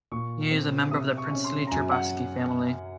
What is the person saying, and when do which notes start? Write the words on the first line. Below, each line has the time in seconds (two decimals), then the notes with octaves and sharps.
He is a member of the princely Trubetskoy family.
0.11 A#2 C#6
0.51 C4
0.91 C3 D#6
1.17 C#6
1.31 C#4
1.44 C6
1.67 A#5
1.71 F#2 G#5
1.91 F#5